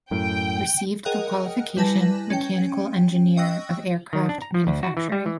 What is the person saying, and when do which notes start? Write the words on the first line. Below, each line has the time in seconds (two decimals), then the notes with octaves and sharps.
Received the qualification "Mechanical Engineer of Aircraft Manufacturing".
0.11 F#2 A2 G5
1.05 G#4 A#4 D#5 F#5 G5 F#6
1.77 G3 E4 B4 G#5 A5 A#6
2.30 C#4 G5
3.37 D#5 G5 C#6 E6 F#6 A#6
4.13 D#3
4.29 D4
4.42 A#5
4.54 F3
4.67 D2
4.83 F#4
4.97 E3
5.12 G3
5.26 E3